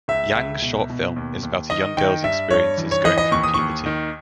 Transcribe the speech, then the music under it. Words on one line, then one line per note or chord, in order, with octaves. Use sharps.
Yang's short film is about a young girl's experiences going through puberty.
C#2 E5
C#2
B2
B2
D#2
D#2
D#3 D#5
D#3 G5
G2 E5
G2 C#5
E3
C#5
E3 D#5
D#5
D#2 C#6
D#6
D#2 C#6
D#3